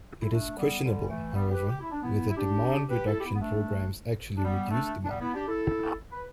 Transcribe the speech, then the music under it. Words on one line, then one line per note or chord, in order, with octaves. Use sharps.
It is questionable, however, whether demand reduction programs actually reduce demand.
E4
A3 D4
G3 B3
D3 G3
E3 A3
G3 B3
G4 B4
G4
E4
D4
B3 E4
E4
D4 G4
G4 B4
E4 A4
G4
B3 E4
B3
A3 D4
D4
G3 B3
A3 D4
D4
G3 B3
B3 E4
D4 G4
E4 A4
B4